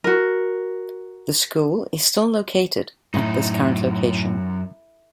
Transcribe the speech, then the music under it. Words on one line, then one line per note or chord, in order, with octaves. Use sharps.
The school is still located at this current location.
F#4 A#4
F#2 A2 D#4